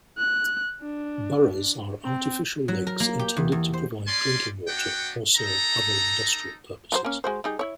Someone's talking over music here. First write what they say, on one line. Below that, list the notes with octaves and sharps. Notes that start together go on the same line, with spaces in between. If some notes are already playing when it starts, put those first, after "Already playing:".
Boroughs are artificial lakes intended to provide drinking water or serve other industrial purposes.
F#6
D4
C4
F#3
A#4
A#3
G4
E2
E2
C5
G3 C#4 D5 G#5 C6
B3 D4 F#4 F#5 G5
D#4 A4 A#5
F#3 F4 C5
A#3 C#4
G#3 F#4 C5
G3 D#4 G#4
E4 C#5